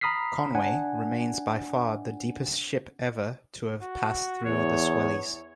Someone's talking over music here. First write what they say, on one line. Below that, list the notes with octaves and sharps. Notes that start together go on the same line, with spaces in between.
"Conway" remains by far the deepest ship ever to have passed through the Swellies.
A#5 B5 D#6 F6 B6 C7
D4 F#5 G#5
F#4
E2 C#5